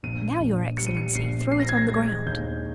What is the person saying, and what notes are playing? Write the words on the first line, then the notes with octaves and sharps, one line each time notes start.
'Now, your excellency, throw it on the ground.'
A#1 D#7
A#1
G3 C#7
D#7
C#7
A#1 C7
C4 C7
A#6
G#6
A#6
G#3 G#6
D#2 G6